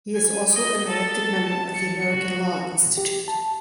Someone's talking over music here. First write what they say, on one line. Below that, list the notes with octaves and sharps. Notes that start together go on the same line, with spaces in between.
He is also an elected member of the American Law Institute.
G#5
D#5
A4 A6
A5
C#7
F#4
G4
A5